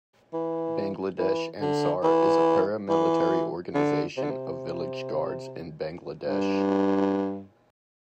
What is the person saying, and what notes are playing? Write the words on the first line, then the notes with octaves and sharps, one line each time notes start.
Bangladesh Ansar is a para-military organization of Village Guards in Bangladesh.
E3
E3
D3
E3
E3
D3
C3
D3
C3
G2